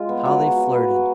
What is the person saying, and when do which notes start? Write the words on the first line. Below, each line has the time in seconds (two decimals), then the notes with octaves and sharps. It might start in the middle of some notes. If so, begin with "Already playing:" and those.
How they flirted!
Already playing: G#3 F4
0.09 B3
0.25 F#3
0.41 F#3
0.58 F#4
0.74 B3
0.90 F#3